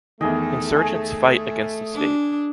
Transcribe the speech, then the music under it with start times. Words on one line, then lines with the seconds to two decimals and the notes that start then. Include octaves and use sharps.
Insurgents fight against the state.
0.21 E2 D#3 A3 G#4 D#5
0.76 G#4 G#5
1.93 D4